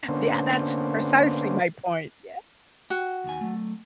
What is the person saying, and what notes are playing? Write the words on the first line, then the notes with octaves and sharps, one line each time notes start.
Yeah. That's precisely my point. Yeah
D3 A#3 B3 C#4 D4 C5
F#4 G5
D#2 D#3 G#5
F#3 A3